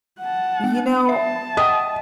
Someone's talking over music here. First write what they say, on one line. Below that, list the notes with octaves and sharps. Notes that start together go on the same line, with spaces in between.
You know
F#5 A5
B3
E5 A5
D#5 F#5 G5 D#6